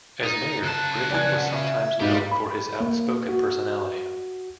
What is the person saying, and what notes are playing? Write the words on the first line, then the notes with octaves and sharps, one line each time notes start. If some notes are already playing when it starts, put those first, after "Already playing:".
As Mayor, Griffin was sometimes known for his outspoken personality.
D#4
C#3 A5 F#6
D5 G#5 G#6
F#5
E5
G#2 G3 G4 F5
B5
A#3
F#4